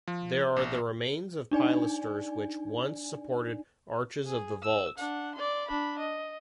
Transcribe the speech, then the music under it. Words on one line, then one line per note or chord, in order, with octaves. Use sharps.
There are the remains of pilasters which once supported arches of the vault.
F3
A#1
D4 D#4 D5 G#5
G#4
E6
D4 F#5
D5 C6
D4 B5
D#5